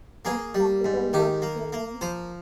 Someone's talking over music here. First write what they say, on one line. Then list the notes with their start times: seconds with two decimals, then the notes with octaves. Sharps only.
Its capital was Turin.
0.25 A#3 G#4
0.55 G3
0.85 G#2
1.13 D#3 G4
1.42 A#3
1.73 A#3
2.01 F3 C5